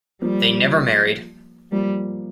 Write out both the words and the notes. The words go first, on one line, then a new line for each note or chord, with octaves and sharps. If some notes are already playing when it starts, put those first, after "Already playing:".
They never married.
F3 G3 A#3
F3 G3 A#3